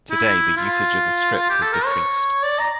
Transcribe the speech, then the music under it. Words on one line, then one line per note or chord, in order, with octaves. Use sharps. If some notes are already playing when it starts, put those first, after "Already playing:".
Today the usage of the script has decreased.
E4
F4
G4
A4
A#4
C#5
D5
A#5